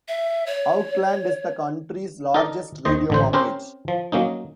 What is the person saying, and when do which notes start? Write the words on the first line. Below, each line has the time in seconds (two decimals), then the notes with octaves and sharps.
Auckland is the country's largest radio market.
0.08 E5
0.46 C#5
2.34 D#4 A4 A#4 D5 D#5
2.85 D#2 D#3 C5 D#5
3.10 A1 D3 C5
3.33 C4 C#4 G4 A#4 C5
3.88 F3
4.12 F#3 A#3 C#4 D#4